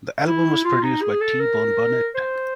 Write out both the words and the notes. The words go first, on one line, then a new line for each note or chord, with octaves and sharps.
The album was produced by T-Bone Burnett.
E4
F4
D#4
G#4
A4
A#4
C5